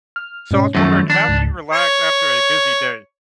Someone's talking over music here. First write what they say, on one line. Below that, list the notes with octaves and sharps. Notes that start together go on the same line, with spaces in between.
So I was wondering, how do you relax after a busy day?
F6
G#2 B2 C#4
F#2 D#3 F3 A3
D4
C#2 G#2
C#5